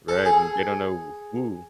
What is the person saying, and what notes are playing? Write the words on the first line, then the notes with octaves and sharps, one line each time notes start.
Right. And they don't know who
A4
G#4